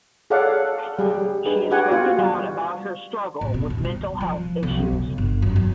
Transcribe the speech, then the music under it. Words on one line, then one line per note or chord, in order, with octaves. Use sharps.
She has spoken out about her struggle with mental health issues.
G#4 A4 C#5 D5 F5 F#5
G3 G4 G#4
D4 D#4 G#4 B4
F#4 G4 B4 F#5 G#5
B3 F4 F#4
G3
A1
B2
D#2
G3
F3
B1
C#3
G1
F#2
D#3